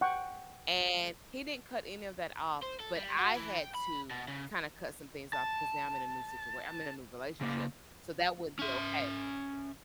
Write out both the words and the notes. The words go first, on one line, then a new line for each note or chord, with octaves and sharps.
And he didn't cut any of that off, but I had to kinda cut some things off because now I'm in a new situat I'm in a new relationship. So that wouldn't be okay.
F#5 G5 C#6
C5
A4
G3
F#4
E3
G5
B5
B2
C#3
A5
C#3 A#3
C#4 E5